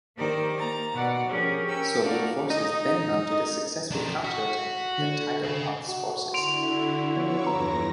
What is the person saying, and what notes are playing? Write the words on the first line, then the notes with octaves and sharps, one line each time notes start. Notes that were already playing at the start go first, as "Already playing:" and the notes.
Soviet forces then mounted a successful counterattack that tied up Hoth's forces.
D#3 A#3 D#4 G4 C5 D5
A#3 A#5 A6
B2 F#4 D5 F#5
F3 C#4 G4 G#4 A#4
C#4 A#4 G5 E6
A3 D#4 F#4 D5 F5
D#4
D4 A#4
F#4 B6
D3
G#4 F5
F#4
D3 E4 C6 D7 F7
F3 B3 C#5 C#6 D6 E6
E2 G2 A#5 A#6